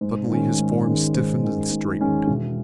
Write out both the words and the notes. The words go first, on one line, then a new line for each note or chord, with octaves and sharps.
Suddenly his form stiffened and straightened.
G#2
D#3 G#3 C#4
G#2
D#3 G#3 C#4
G#2
D#3 G#3 C#4
G#2
D#3 G#3 C#4
E1